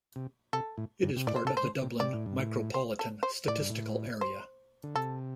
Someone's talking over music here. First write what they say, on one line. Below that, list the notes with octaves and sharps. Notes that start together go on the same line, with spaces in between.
It is part of the Dublin Micropolitan Statistical Area.
C3
C3 A4
A2
G2
C3
A2 D5
C5
C3 A4
C5
D3
C3
C3 D5
A2
G2
A2
C5
A4
C5
A2 D5
G2
A2
C5
D3
C3 A4